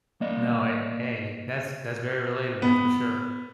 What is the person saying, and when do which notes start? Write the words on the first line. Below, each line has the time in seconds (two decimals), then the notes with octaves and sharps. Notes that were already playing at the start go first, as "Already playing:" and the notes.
No, hey hey, that's that's very relatable for sure.
0.21 A#3 D5 D#5
2.62 B3